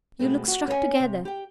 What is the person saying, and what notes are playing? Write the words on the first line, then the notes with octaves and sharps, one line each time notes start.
You look struck together.
B2 G#3 A3 C4
F#4
C#4 A4 B4 D#5 G#5
C3
G4 G5